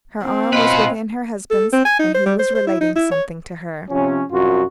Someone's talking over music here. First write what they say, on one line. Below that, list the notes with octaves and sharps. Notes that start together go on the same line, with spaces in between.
Her arm was within her husband's, and he was relating something to her.
C4
B2 C#4 F4 B4 D#5 B5
A4
C4
G#5
D#4
C5
G3
C5
C5
E4
D#4
E4
C#5
C3 F3 C#4
C2 F#2 F4 F#4